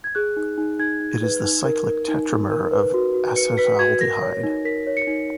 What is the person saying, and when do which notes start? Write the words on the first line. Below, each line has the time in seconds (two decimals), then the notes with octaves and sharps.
It is the cyclic tetramer of acetaldehyde.
0.04 G#6
0.15 G#4 F#6
0.37 D#4
0.58 D#4
0.79 D#4 G#6
1.00 D#4
1.23 B4
1.44 D#4
1.65 A#4
1.87 A#4
2.08 D#4
2.30 D#4
2.51 A#4
2.72 B4
2.94 F#4
3.14 F#4
3.36 B4 C#7
3.58 B4 B6
3.79 F#4 G#6
4.01 A#4 A#6
4.22 C#5
4.43 D#4
4.65 A#4 B6
4.87 C#5
4.97 C#7
5.07 D#4